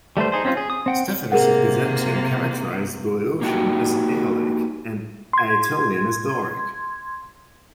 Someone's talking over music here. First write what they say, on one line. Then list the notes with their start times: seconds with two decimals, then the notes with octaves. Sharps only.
Stephanus of Byzantium characterized Boeotian as Aeolic and Aetolian as Doric.
0.17 G3 A3 B4 C5
0.32 D#4 G#4 C5
0.45 C4 C#4 D#4 F4
0.57 G#4
0.70 D#6
0.86 C4 F#5 G5
1.32 C3 A#3 G#4 A#4 F#5
3.41 A#3 D#4 F#4 G4
5.33 C6 G#6